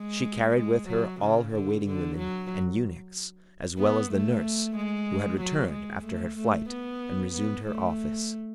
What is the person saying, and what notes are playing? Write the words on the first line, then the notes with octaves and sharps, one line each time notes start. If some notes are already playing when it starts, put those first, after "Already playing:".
She carried with her all her waiting-women and eunuchs, as well as the nurse, who had returned, after her flight, and resumed her office.
Already playing: G#3
G#3
F#3
C#3
D3
D3
F#3
B3
A3
G#3
F#3
G#3
A3
A3
B3
B3
A3